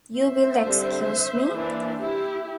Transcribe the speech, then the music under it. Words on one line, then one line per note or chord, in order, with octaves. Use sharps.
You will excuse me.
C5 E5
D3 G3 C4
E3 A#3 D4
E4 G4